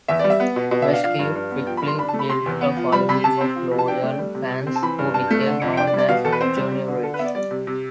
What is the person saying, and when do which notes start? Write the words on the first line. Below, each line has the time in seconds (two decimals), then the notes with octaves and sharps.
Vasquez quickly built a following of loyal fans who became known as "Juniorites".
0.08 E2 E5
0.19 G3 D5
0.30 E5
0.40 B3
0.56 B2
0.71 B2
0.82 E5
0.88 D4
0.93 F5
1.04 F3 F5
1.19 G2
1.35 G2
1.51 B3
1.67 F3 G5
1.77 B5
1.82 G2
1.87 C6
1.99 D4 B5
2.09 A5
2.13 A3
2.19 B5
2.29 C3 C6
2.46 E2
2.61 B3
2.77 F3
2.92 G3 B5
3.09 C3 B5
3.24 C3 A5
3.41 C4
3.56 F3
3.71 C3
3.79 A5
3.87 D4 G5
4.03 A3
4.19 G3
4.35 C3
4.51 C3
4.67 C4
4.76 A5
4.83 E3 B5
4.99 G2
5.14 G2 A5
5.31 A3
5.46 D3
5.62 F2
5.77 D4 G5
5.87 D5
5.93 G3
5.99 D5
6.09 B2 F5
6.25 E2 A4
6.32 B4
6.41 C4 C5
6.57 G3
6.72 G3
6.88 D3
7.03 D3 A4
7.14 B4
7.19 B3 E5
7.25 D5
7.35 G3 D5
7.51 C3
7.67 C3